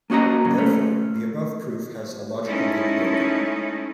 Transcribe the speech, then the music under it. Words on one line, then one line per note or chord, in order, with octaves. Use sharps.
Therefore the above proof has a logical link broken.
A#3 C#4 F#4 D#5 A#5
A#2 C#3 F#3
A3 C#4
G#3 A3 C#4 D#4 E4 A4